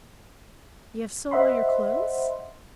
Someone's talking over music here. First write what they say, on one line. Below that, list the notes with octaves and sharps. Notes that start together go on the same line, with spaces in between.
"You have sold all your clothes?"
C5 D#5 E5 F#5 B5 C6